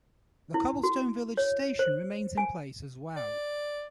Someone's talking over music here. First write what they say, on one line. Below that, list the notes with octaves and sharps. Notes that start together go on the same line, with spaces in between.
The Cobblestone Village station remains in place as well.
E4
F#4
C#5
C5
G#5
D5